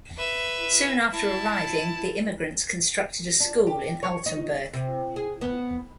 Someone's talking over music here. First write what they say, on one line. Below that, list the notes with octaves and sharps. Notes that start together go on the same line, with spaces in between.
Soon after arriving, the immigrants constructed a school in Altenburg.
B4 E5
E4 A5
D4
G4
C#5
D#4
C3
G#4
B3